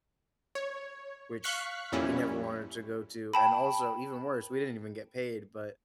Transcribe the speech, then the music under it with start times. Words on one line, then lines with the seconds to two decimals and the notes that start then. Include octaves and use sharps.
which we never wanted to go to, and also even worse, we didn't even get paid, but
0.55 C#5
1.44 F5 C#6 F#6 B6 C#7
1.92 F2 A#2 G3 C#4 E4
3.33 G5 A5 B5